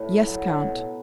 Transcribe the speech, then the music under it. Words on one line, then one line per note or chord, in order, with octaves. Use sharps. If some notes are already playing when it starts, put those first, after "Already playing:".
"Yes, count."
Already playing: A2 B4 C#5
F#3
B2